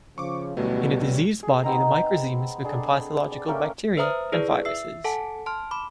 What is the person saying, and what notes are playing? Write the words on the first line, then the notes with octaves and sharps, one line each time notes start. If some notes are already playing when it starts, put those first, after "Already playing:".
In a diseased body, the microzymas become pathological bacteria and viruses.
C#3 F3 C#6 D6
A1 D2 B2 F#3 G3 A3
G#4
B3 C4 D#4 A#5
D4 G#4 A4
D5
A3 A#3 C#4 G5
B4 C5 E5 A#5 D#6 F6
E4 G#4 B4 D5
E5 E6 C7
A4 F#5 G#5 A5
A5 C6 F6
B5 D6